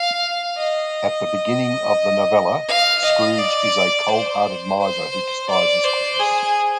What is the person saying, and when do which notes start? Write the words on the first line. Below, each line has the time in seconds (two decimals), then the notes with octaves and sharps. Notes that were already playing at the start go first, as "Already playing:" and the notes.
At the beginning of the novella, Scrooge is a cold-hearted miser who despises Christmas.
Already playing: F5
0.57 D#5
2.68 F5
3.03 D#5
3.38 D5
4.09 C5
4.79 C5
5.49 D5
5.84 C5
6.19 G#4